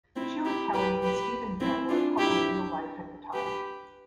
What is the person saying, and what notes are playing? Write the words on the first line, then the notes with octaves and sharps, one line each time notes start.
Sheila Kelley and Stephen Bill were a couple in real life at the time.
C4 E4
E4 G4
G4 B4
G4 B4
C4 E4
D4 F4
E4 G4
G4 B4